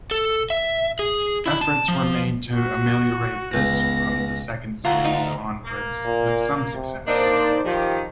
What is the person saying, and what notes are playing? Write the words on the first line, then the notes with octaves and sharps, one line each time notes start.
Efforts were made to ameliorate this from the second series onwards, with some success.
A4
E5
G#4
E4
A5
F3
F#4
C#2 B3 A#6
D2 F4 F#5 A#5
D#4
A#3
A#2
C3
A#3 C4 D4 D#4 C5 D5
D#3 F3 G4